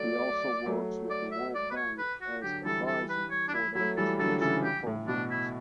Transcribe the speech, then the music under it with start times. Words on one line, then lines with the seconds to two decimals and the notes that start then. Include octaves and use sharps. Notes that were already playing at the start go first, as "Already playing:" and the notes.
He also works with the World Bank as Advisor for their educational programs.
Already playing: F#3 A3 D5
0.66 F#3 A3
1.10 D5
1.32 E5
1.55 D5
1.71 B4
1.76 C#5
1.98 B4
2.21 F#4
2.42 D3 F#3 G4
2.65 E3 G3 A4
2.87 A4
3.09 B4
3.31 C#5
3.48 D4
3.54 E4
3.75 F#3 A3 E4
3.97 E3 G3 A4
4.19 D3 F#3 A4
4.41 C#3 E3 A4
4.64 G4
4.86 A2
5.07 B2 D4
5.31 E4